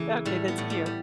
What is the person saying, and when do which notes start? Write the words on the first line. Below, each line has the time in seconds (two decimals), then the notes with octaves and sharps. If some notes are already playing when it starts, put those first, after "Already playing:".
Okay. That's cute.
Already playing: C#3 E3 A3
0.25 A2 G3
0.48 B3
0.58 A2
0.70 G3
0.86 G3